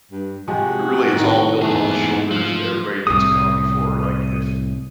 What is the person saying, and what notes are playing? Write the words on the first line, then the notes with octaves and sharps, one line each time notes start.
but, really, it's all built on the shoulders of everybody that's gone before, like if
G2
C3 F3 G#3 F#4
A2 D#3
G#2 A3 B3 G#4
F3
C2 A2 D#6